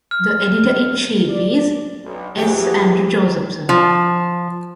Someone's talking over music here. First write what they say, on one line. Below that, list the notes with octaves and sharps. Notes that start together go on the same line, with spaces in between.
The editor-in-chief is S. Andrew Josephson.
F6
D5
B1
F2 E3 F#3 G4 G#4
F3